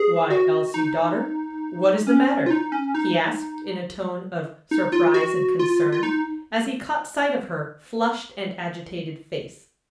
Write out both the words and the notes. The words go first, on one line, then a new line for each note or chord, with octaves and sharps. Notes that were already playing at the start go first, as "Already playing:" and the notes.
"Why, Elsie, daughter, what is the matter?" he asked in a tone of surprise and concern, as he caught sight of her flushed and agitated face.
Already playing: G#4
F#4
D#4
C#4
F4
D#4
C#4
D#4
D#4
F4
F#4
F4
F4
D#4